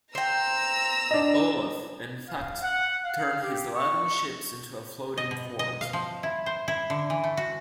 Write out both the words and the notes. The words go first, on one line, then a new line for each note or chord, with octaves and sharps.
Olaf, in fact, turned his eleven ships into a floating fort.
C5 G5 A#5 E6
D4 D#5
F5
F#5
F5
G4
C#6
D#5
B2
D#5
F5
F3
E4
C5
E4
D3
E3
A3
F#4